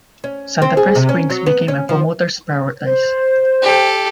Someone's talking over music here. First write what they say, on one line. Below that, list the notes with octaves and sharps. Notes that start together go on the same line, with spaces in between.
Santa Fe Springs became a promoters' paradise.
C#4
C4
G#4
C3
C#4
F#3
B3
C#4
F3
C5
G4 A4